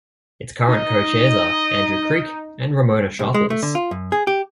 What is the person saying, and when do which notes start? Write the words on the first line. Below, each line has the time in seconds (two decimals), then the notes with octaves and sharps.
Its current Co-chairs are Andrew Creak and Ramona Sharples.
0.68 D#4 D#5
3.19 C2
3.34 G#3
3.50 A3
3.63 D3
3.75 F4
3.91 F#2
4.12 G#4
4.27 G4